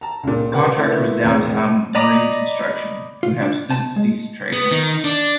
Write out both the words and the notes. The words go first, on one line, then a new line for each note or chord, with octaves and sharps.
The contractor was Downtown Marine Construction who have since ceased trading.
A5 A#5
C#2 A#2
G4 A#4 B4 F5 F#5
C#4
A3 A#3 E4 B4
E1 E2 C4 A#5 G#6
D5 D#5 A#5 B5 D6
F4
D4
A5
G#3
B3
D#3
D4